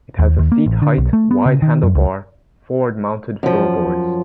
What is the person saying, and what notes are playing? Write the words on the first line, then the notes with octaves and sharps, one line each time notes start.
It has a seat height, wide handlebar, forward-mounted floorboards.
D#2
D#2
A#3
A1
D3
B1
A3
B3
C#3
D#3
F#2
C#2
F#2 F3